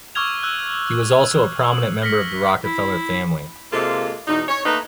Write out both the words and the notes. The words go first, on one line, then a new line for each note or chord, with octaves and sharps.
He was also a prominent member of the Rockefeller family.
C#6 D6 E6 F6 G#6 F7
E6 F#6
F#7
F6 A#6 B6 C#7
E4
C3 G#3 A#3 F4 A4
E2 B2 D#4
C#5
A3 A#3 D#4 B4